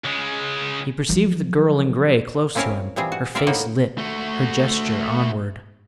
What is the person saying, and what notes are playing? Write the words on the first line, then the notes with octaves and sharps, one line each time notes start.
He perceived the girl in grey close to him, her face lit, her gesture onward.
C#2 G#3
F3 F#3
A#3 C4 C#4 E4 A#4 F5
A#2 E3 G3 C4 G#4
F#4
C4 F4 A#4 D5 E5
A2 A#3 B3 D#4 F#4
A3 F#4